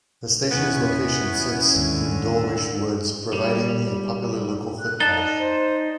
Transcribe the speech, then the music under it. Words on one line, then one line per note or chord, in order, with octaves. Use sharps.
The station's location sits in Dulwich Woods, providing a popular local footpath.
E2 B3 C#4 E4 G#5
D#2 G#2 D3
G3
F#6
D#4 D5 A5 A6 G7
C5